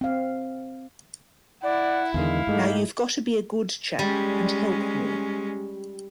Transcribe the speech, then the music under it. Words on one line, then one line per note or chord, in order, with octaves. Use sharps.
Now you’ve got to be a good chap and help me.
C4 F5
E4 D5 F#5
E2 D3 D#3 G#3 F5
G#2 G#3 A3 D#4 G4 D#5
G3 G#3 C#4